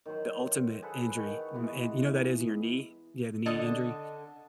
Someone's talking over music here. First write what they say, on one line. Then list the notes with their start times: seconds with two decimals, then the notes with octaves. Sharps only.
the ultimate injury. M and you know that is in your knee? Yeah, the knee injury.
0.06 D#3 F#3 C5
0.82 G#4 A4 B4 F#5
1.16 D#3 F#5 C#6
1.54 E3 G#3 B3
3.46 D3 A4 D#5